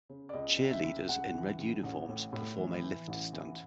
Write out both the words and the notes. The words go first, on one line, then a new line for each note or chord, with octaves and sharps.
Cheerleaders in red uniforms perform a lift stunt.
C#3
D5
C#2 D#5
C#2
E5
C#2
C#2 F#5
E3
C#2
A1
A2
A2
E3
E3
A1
E3